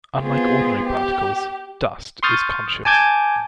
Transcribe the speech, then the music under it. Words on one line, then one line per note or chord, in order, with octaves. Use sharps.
Unlike ordinary particles, Dust is conscious.
G#3 B3 C4 F4 G#4
G4
C6 C#6 D#6 F6 G6 A6
G#5 A5 D6 G6 G#6